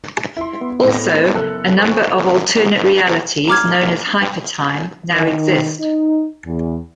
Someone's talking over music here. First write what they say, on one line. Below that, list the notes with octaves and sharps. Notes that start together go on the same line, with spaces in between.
Also, a number of alternate realities- known as Hypertime- now exist.
E4 C6
B3
A2 C4 A#6
F#1 A4 F#6
A4 C5 C#6
A#5 D6 F6 G#6
D#3
D#4
E2